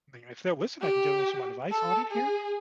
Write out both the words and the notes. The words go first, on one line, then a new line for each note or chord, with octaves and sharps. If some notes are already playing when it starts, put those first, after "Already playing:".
mean, if they'll listen, I can give them some advice on it here.
G4
A4
G#4